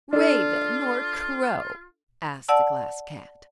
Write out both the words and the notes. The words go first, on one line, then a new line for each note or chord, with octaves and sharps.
"Raven, or crow?" asked the Glass Cat.
D4 F4 A4
D5 F#5 A5 E6